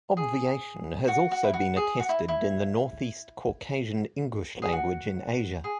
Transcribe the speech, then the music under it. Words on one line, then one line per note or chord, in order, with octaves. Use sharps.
Obviation has also been attested in the Northeast Caucasian Ingush language in Asia.
G#4
F#4
F#4
E4
F#4
G#4
F#4
E4
E4
G#4
F#4
G#4